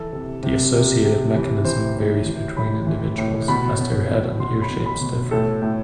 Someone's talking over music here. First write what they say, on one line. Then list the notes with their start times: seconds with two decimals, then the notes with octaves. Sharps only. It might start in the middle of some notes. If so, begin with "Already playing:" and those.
The associated mechanism varies between individuals, as their head and ear shapes differ.
Already playing: E3 A4
0.13 C3
0.43 C3
0.74 C3
1.04 C3
1.35 E3
1.65 E3 C5
1.96 A2
2.26 E3
2.56 A2 B5
2.87 E3
3.18 A2
3.48 B2 B5
3.78 B2
4.09 B2
4.39 B2 C6
4.62 B5
4.70 B2
4.86 B5
5.01 B2
5.31 A2 A4
5.62 A2